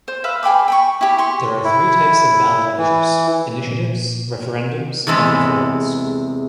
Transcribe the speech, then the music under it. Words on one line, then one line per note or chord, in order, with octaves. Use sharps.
There are three types of ballot measures: initiatives, referendums, and referrals.
C5
B4 E5 F5
G#4 G5 B5 D6
G5 B5 C#6
E4 G4
G4 C6 C#6
E4
E3
A#2
E2 C3 G#3 A4 B5